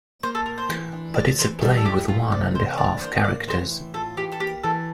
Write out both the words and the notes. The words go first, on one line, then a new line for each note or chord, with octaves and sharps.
But it's a play with one and a half characters.
A#3 C5
A4
A2 A#4
C5
E3
D4
C4 D5
E3 C5
G3 A4
A4
E4 G4
A3 F4
C3 D5
E3 C5
D4 D5
A#3 C5
A2 D5
E3 C5
A2
F4 A4
E3 G4
A4
A#3 G4
E3 A4